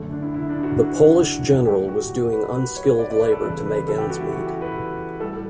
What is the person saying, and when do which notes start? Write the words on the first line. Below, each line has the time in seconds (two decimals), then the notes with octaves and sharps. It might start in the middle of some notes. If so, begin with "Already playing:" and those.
The Polish general was doing unskilled labor to make ends meet.
Already playing: F#2 D3 A3
0.12 D4
0.22 E4
0.34 E4
0.49 D4
0.63 F#4
1.66 A2 F#3 A3 G4
1.88 F#4
2.32 B4
2.55 B4
2.77 C#5
2.99 D5
3.10 D5
3.21 B4
3.32 A4
3.43 E2 C#3 E3 G3 B4
3.65 B4
3.88 A4
3.98 G4
4.10 F#4
4.21 E4
4.32 F#4
4.47 G4
4.61 B4
5.20 A2 G3 A4